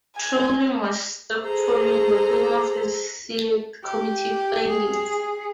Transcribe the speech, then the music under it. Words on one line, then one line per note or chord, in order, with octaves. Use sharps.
Trawling was stopped following the Home Affairs Select Committee findings.
G#5
G#4 A4 C5 A#5
G4
G#4